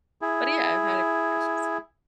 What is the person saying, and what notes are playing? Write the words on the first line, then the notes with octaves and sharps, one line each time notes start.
But, yeah, I've had a few crushes.
E4 G#4